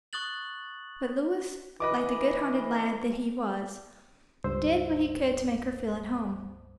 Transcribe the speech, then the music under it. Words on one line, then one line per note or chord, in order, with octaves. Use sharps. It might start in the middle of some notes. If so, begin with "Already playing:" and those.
But Louis, like the good-hearted lad that he was, did what he could to make her feel at home.
C#6 D#6 F#6 A6 F#7
E3 B4 D#5 D6
C#2 G2 C5 E6